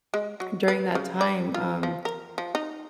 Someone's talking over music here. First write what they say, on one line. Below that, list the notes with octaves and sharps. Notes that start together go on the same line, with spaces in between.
during that time, um,
G#3
F#3
B4
C#3
D5
F4
F3
A#4
F3
D#4